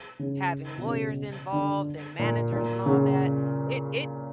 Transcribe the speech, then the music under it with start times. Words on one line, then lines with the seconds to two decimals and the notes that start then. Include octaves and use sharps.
having lawyers involved and managers and all that, it it
0.19 C#3
0.78 B2
0.86 C#3
1.52 D3
2.19 A#2
2.52 A#2
2.86 C#3